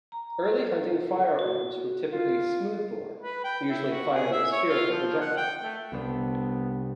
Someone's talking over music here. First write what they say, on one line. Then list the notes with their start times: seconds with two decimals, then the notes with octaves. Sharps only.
Early hunting firearms were typically smoothbore, usually firing a spherical projectile.
0.12 A#5
0.60 A4
1.39 F#4
2.12 F4
3.22 B4
3.44 G5
3.69 E4
3.88 F#4
4.13 G#4
4.32 E5
4.52 C#5
4.69 F4
4.91 F3
5.20 F#5
5.37 G5
5.63 A3
5.92 C2 B3 D4